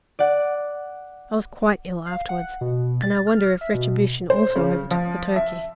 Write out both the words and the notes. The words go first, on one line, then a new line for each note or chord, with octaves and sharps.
I was quite ill afterward, and I wonder if retribution also overtook the turkey.
D5 F#5
F5
F#5
B2
A6
F6
E5
B2
C5
C#3
F3
E5